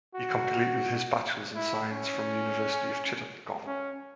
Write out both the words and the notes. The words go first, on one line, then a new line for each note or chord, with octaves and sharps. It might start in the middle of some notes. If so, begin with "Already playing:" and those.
He completed his Bachelors in Science from University of Chittagong.
F#4
E4
C#4
C#4